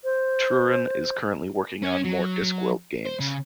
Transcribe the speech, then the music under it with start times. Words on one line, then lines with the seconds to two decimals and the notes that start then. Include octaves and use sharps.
Truran is currently working on more Discworld games.
0.04 C5
1.82 C#4
2.04 F#3
3.05 C5
3.19 C#3